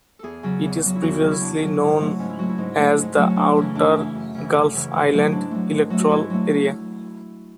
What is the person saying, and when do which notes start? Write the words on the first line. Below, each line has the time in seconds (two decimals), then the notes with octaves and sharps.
It is previously known as the Outer Gulf Islands Electoral Area.
0.19 E2 G#4 A4
0.43 C#3 F#3
0.63 E2
0.82 C#3 F#3
0.95 E4
1.01 E2 F#4
1.12 E4
1.19 C#3 F#3 G#4
1.31 E4
1.41 E2 D4
1.60 C#3 F#3
1.81 G#2
2.00 F#3 A3
2.19 G#2 C#4
2.29 E4
2.39 F#3 A3 F#4
2.49 E4
2.58 G#2
2.78 F#3 A3
2.98 G#2
3.17 F#3 A3
3.30 C#4
3.36 F#2 D4
3.57 C#3 E3
3.75 F#2 D4
3.96 C#3 E3
4.15 F#2
4.35 C#3 E3
4.54 F#2 C#4
4.73 C#3 E3
4.92 G#2
5.13 F#3 A3
5.25 E4
5.31 G#2 D4
5.51 F#3 A3
5.72 G#2
5.90 F#3 A3
6.00 F#4
6.10 G#2 E4
6.30 F#3 A3